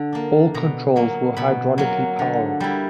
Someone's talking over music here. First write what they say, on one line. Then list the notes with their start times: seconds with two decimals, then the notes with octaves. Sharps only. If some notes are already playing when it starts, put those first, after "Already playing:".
All controls were hydraulically-powered.
Already playing: D3
0.13 A#3 D4
0.54 B2 A#5
0.96 F#3 A#3
1.37 B2 B5
1.78 F#3 A#3
2.19 D3
2.60 G3 A#3 E4